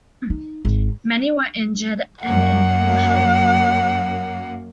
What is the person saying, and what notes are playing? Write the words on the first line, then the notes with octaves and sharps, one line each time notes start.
Many were injured and in poor health.
D#4
G#1
F#2 A#3 F#5